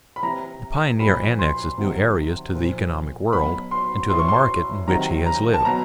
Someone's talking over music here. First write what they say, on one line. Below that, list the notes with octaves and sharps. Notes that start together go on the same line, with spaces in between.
The pioneer annexes new areas to the economic world and to the market in which he has lived.
B5
C3 E3 A#5
A#2 F3 B5
C6
C3 D#3 F#3
A#2 F3
B2 F#3 B5
C6
A2 E3 C6
C#6
C6
C3 D#3 F#3 A#5
A#5
A5
B2 F#3 A#5